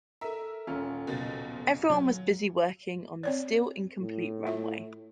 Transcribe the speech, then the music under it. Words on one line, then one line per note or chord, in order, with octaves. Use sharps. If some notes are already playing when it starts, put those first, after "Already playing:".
Everyone was busy working on the still-incomplete runway.
A4 A#4 E5 A#5
D#1 C#4 F4
F#1 B2 A6
F#3
C4 C#5 D5
A2
F4 E5